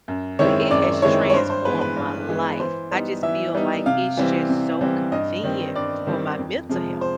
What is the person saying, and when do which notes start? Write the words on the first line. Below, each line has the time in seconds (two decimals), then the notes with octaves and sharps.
but, it has transformed my life. I just feel like, it's just so convenient for my mental health.
0.08 F#2
0.39 D#3 G#3 C4 E4 C#5
0.71 F#2 D5
1.02 D#3 G#3 C4 E4 C#5
1.30 C#5
1.33 G2 C5
1.50 C5
1.65 E3 G#3 B3 B4
1.81 B4
1.97 G2
2.29 E3 G#3 B3
2.60 E3 C5
2.91 G3 B3 D#4
3.23 E3 E5
3.55 G3 B3 D#4
3.86 C3 F5
4.17 E3 G3 C4
4.49 C3
4.81 E3 G3 C4
5.12 G2 D#5
5.44 D#3 G3 C4
5.75 G2 D5
6.07 D#3 G3 C4
6.38 F2
6.69 C3 F3 G#3
7.01 C5